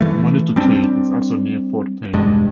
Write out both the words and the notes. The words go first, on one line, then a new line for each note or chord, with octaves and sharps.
Manitou Cave is also near Fort Payne.
E3 A3
G3 C4 D4
E1 G2 G#3